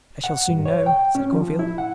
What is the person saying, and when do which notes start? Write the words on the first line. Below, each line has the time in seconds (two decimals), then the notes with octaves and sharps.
"I shall soon know," said Gourville.
0.24 F#5
0.48 G2
0.66 C#5
0.86 G5
1.15 C#4
1.33 F3
1.59 E4
1.78 F#5